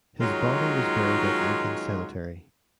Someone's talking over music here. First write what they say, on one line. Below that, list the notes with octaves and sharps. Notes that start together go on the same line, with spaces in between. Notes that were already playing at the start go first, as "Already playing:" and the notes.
His body was buried at Lincoln Cemetery.
D#3 F#3 G#3 C#4 D#4 F4